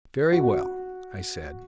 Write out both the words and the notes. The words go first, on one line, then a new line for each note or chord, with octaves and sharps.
"Very well," I said.
F#4